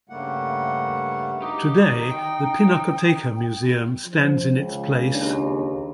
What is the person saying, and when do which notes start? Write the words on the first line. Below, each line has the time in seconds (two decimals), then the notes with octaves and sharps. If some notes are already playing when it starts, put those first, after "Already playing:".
Today the Pinacoteca Museum stands in its place.
0.09 G2 C#3 G3 A3 A#3 F#5
1.42 D#4 G4
1.89 D#3
2.11 G5
4.04 F3
4.54 C#2
5.14 D#2 D4